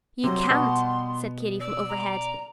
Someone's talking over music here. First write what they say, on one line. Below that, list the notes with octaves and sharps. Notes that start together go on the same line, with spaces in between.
"You can't," said Katy from overhead.
C3 F#3 G3 C6
B2 B3
D5 E6
A#5